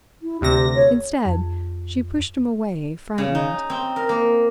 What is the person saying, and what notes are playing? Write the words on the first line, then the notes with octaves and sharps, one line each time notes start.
Instead, she pushed him away--frightened.
E4
D2 C3 G4 A#6
C#5
F2
C#3
D#4
C4
A#4
A#3